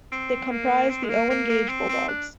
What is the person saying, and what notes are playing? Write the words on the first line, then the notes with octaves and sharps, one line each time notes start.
They comprise the Owen-Gage Bulldogs.
C4
A#3
C4
G#3
A#3
A#3
A#3
C4
C4
D4